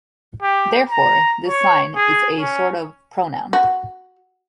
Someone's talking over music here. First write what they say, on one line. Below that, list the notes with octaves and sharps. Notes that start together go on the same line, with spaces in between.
Therefore this sign is a sort of pronoun.
G4
A#5
C#5
G#4
C#4
F#4